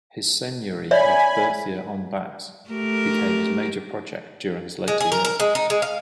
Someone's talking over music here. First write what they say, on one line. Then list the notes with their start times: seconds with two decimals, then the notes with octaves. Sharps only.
His seigneury of Berthier-en-bas became his major project during his later years.
0.91 C#5 D5 E5 G#5 B5
2.70 A3 G4 A#4
4.88 G#3
5.00 G#4
5.12 A#4
5.25 A#4
5.40 G#3
5.55 D#4
5.70 G#3
5.82 F5